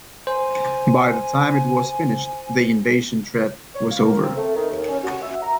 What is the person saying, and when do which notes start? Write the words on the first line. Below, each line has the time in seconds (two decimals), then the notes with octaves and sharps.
By the time it was finished, the invasion threat was over.
0.27 C5 G#5
3.75 C#5
3.91 F5
4.03 A#4
4.20 C4
4.37 A3
4.55 D#3
4.70 D#2
4.89 C#4
5.04 F#4
5.22 E5
5.42 A#5